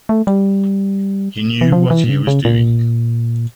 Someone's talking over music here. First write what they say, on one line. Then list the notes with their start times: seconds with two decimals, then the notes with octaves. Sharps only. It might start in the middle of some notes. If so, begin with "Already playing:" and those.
He knew what he was doing.
0.09 A3
0.27 G3
1.61 E3
1.72 F3
1.91 E3
2.04 A#2
2.09 C#3
2.27 C#3
2.45 A#2